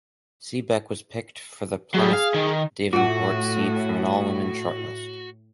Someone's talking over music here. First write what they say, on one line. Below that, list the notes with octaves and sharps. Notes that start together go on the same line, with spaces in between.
Seabeck was picked for the Plymouth Devonport seat from an all-women shortlist.
F#3 G3 G#4
F5
D#3
A2 A3 F4 F#4 F#5